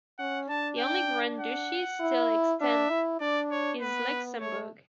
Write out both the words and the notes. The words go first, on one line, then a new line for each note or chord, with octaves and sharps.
The only grand duchy still extant is Luxembourg.
C#4 F#5
D4 A5
G5
F#5
E4
D4 E5
E4
D4 D5
C#5
B3 B4
A3 C#5